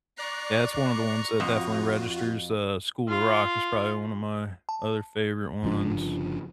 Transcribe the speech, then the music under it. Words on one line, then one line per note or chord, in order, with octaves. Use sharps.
Yeah, it's one of the ones that definitely registers. Uh, School of Rock is probably one of my other favorite ones.
D5 A#5 C#6 F#6 C7
F2 F4 F#4
F4 F5
A5
G1 C#3 F3 D4